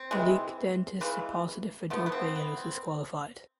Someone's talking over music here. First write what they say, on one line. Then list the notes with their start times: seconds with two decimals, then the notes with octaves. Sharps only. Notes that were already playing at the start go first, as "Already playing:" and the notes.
Malik then tested positive for doping and was disqualified.
Already playing: C4
0.11 C3 E3 G#3
1.01 C#3 E3 G#3
1.90 D3 F3 A3 B3
2.06 B3
2.12 C4
2.36 B3
2.58 C4